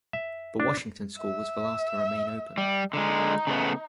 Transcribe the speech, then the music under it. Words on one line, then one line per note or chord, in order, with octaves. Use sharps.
The Washington School was the last to remain opened.
E5
D4
E5
G3
D3 G#3 D#4
C#3 A3 B3